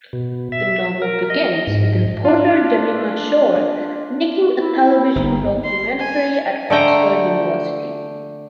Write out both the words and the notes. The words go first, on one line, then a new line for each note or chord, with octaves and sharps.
The novel begins with reporter Jemima Shore making a television documentary at Oxford University.
B2
E5
A#4
D#5
G#2
D4 F4
E4
G1 D#4
C6
G#5
D3 A3 G5 A#5